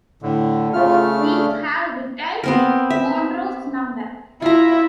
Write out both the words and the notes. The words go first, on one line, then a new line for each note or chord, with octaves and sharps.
Both teams have retired Monroe's number.
A2 D3
C#3 A3 F4 F6
D4
B3 C4 A#4
E5
E4 F4 A#5